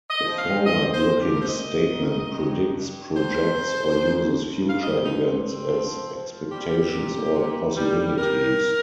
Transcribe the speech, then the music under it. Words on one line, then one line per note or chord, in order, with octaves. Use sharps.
A forward-looking statement predicts, projects, or uses future events as expectations or possibilities.
D#5
F3
F5
F3 D#5
C5
A#2
G4
A#4
C5
G2 D#5
D#3
G2
G2
F2 C5
F2
F2
F2
F5
G2 D#5
D#4
G2 C4
C4
F3
F3
G3 G4
A#2
A#2
G3
G3 A#4